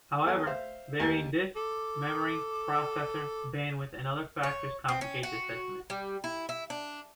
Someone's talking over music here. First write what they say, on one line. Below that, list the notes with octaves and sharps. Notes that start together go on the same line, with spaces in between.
However, varying disk, memory, processor, bandwidth and other factors complicate this estimate.
E2 A4 G#5
C5 E5 F5
D#2 A#4 G#5
A4 D6
C#5
C4
C#4
F#4
G3
E4
E4
D4